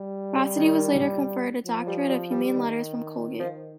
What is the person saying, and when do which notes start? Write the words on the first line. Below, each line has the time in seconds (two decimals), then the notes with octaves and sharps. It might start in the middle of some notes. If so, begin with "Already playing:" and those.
Bossidy was later conferred a doctorate of Humane Letters from Colgate.
Already playing: G3
0.35 C#3
0.56 D#3
1.66 F3
1.87 G3
2.09 G3
2.31 G3
2.52 D#3
3.40 F3